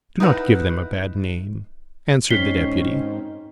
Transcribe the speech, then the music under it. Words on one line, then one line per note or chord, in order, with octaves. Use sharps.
"Do not give them a bad name," answered the Deputy.
D#4 E4 B4 F#5
G#2 C4 C#4 D#4 B6 C7 G7